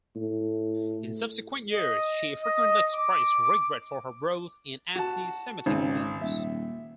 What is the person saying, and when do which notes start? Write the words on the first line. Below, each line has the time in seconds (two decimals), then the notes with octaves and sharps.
In subsequent years, she frequently expressed regret for her roles in anti-semitic films.
0.16 A2
1.72 D#5
2.42 D#5
2.94 D6
4.96 F#4 A5
5.66 G#1 C#2
6.21 D#1 E5